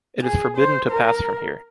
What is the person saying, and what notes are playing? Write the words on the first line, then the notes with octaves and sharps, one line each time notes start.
It is forbidden to pass from here.
G#4
C5
A#4